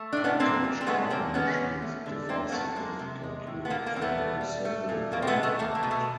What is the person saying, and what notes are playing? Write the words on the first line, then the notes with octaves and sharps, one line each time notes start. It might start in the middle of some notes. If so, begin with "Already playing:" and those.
Cottage carding machines differ significantly from the simple drum card.
Already playing: A3
A2 D4
B3 C#4
A#2 A#3 C4
G3
C4
G#3 A3 B3
C#3 A#3 C4
G#3 B3 C#4
A#2
A3
D3
A3 A#3 C4
A#3
A2 A3 B3
G#3 A#3
C3
G#3
A2
B3
A#2 A#3
A#3
G3 C4
A3 B3
B2
G3
A3
A#2
B2 A#3
C4
A3 B3
G#3
A3 B3
A3 A#3
A#3
B2
A3